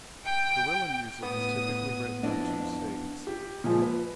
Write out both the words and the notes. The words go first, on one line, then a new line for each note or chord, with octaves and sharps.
Carillon music is typically written on two staves.
G5
A2 B3 D#6
F2 D4 E4 D#5
G4
A#2 F3 G#3
B4